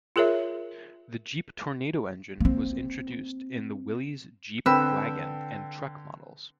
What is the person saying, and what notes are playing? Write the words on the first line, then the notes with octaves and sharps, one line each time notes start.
The Jeep Tornado engine was introduced in the Willys Jeep Wagon and truck models.
F4 G#4 A#4 C#5 E5
A#3 C4
D3 C4 B4 G5 E6